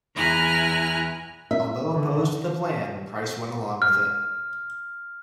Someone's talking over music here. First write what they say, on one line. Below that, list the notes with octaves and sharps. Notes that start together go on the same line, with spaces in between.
Although opposed to the plan, Price went along with it.
E2 E4 G#5 A#5 F6 F#6
E5
D3
F6